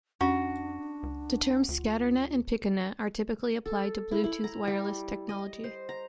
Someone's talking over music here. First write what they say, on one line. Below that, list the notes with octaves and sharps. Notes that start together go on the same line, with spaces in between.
The terms "scatternet" and "piconet" are typically applied to Bluetooth wireless technology.
F2 C#4 D4 F#4
C#2
D2 F4
A4
E4
E4
A#5
G3
D#5
C5
A#5